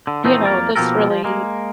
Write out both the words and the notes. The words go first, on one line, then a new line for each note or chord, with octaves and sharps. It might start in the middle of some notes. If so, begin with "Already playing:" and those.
you know, "this really"
D3
A#2 E3 F3 A3 C4 D#4
F2 A#3 A#4 D5
B2 F3 A#3 G4 A4 A#4
F3
G#3 A#3